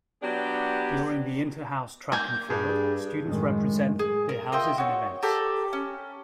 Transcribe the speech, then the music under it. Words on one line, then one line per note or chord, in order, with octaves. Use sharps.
During the Inter-House Track and Field, students represent their houses in events.
F#3 B3 D4 G4
A#3 G#5 G6
G2 G#4
F#2 A2 D#3 G#3
G#4
A#4
F4 D#5 E5 G5
F#4 C#5
G4 A4 A#4
C#4